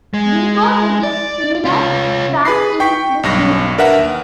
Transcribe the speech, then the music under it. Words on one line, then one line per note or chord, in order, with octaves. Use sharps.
Bingo did a similar stunt in this movie.
G#3
D5
C#4 F4
G#4 B4 B5 C7
G5 C#6 B6
B1 G2 A#6
D4 A#4 B4 E5 F#5
D#2